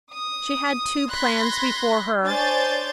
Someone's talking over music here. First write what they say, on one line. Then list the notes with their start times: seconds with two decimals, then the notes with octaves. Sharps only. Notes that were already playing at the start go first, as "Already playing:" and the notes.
She had two plans before her.
0.11 D#6
1.09 B5 C6 F#6 G#6 A#6
2.26 D4 C5 C#5 G#5 G6 A6